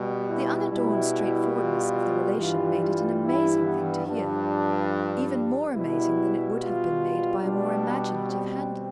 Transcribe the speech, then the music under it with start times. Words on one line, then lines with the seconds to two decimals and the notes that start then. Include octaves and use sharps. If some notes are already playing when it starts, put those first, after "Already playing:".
The unadorned straightforwardness of the relation made it an amazing thing to hear, even more amazing than it would have been made by a more imaginative handling.
Already playing: B2 G3
0.27 E4
0.69 B2 G3 E4
1.53 F4
2.38 G2 E3 G3 F4
2.80 F4
3.22 E4
3.65 B3
4.06 G2 F3 D4
5.74 B2 G3 E4
6.59 F4
7.42 B2 G3 D4
8.27 C4